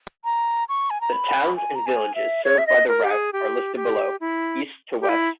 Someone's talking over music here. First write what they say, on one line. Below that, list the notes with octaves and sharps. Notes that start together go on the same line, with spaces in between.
The towns and villages served by the route are listed below, East to West.
A#5
C#6
G#5
A#5
B5
G#5
A#5
G#5
E5
C#5
E5
D#5
A#4
G4
G#4
G4
G4
E4
G4
E4